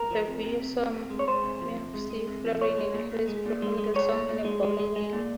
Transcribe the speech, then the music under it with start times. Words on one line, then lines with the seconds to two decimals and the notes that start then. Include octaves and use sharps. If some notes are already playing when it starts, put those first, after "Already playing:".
The video saw McFarlane and Harris perform the song in a bowling alley.
Already playing: A#4
0.11 F3
0.28 C3
0.43 C3
0.60 C3
0.78 C3
0.94 C3
1.10 G#3
1.19 C#5
1.28 G#3 C5
1.44 C3
1.61 F3
1.78 C3
1.94 G#3
2.11 G#3
2.27 C3
2.45 F3
2.61 A#2 C#5
2.78 G#3
2.94 A#2
3.12 A#2
3.28 G#3
3.46 A#2
3.62 G#3
3.78 G#3
3.95 G#3 C#5
4.12 A#2
4.29 A#2
4.45 G#3
4.63 G#3
4.79 G#3
4.96 G#3
5.13 A#2